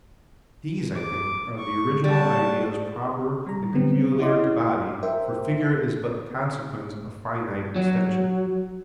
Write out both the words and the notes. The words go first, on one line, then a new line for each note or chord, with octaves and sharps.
These, I think, are the original ideas proper and peculiar to body; for figure is but the consequence of finite extension.
D6
C#6
G3 F#4 A5
G3 A#5
D3 F#3 G3 B3 C4
E4 F#4 C#5 D#5 C6 D6
A#4 C5 E5 G5
F#3